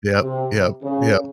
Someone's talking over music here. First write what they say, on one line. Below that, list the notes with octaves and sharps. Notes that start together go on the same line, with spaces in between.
Yep, yep, yep.
C3
C#3